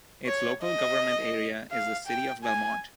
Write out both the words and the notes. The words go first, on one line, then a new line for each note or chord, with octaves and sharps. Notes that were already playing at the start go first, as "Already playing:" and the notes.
Its local government area is the City of Belmont.
C#5
D#5
F5
G5
G#5